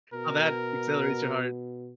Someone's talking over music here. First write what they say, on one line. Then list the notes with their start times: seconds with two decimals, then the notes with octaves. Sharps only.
how that accelerates your heart.
0.14 B2 A#4